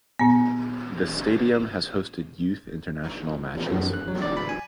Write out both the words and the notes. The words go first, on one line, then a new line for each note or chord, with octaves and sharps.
The stadium has hosted youth international matches.
A#2 B3
F#2
F#6
F#3
D5
B5
G#5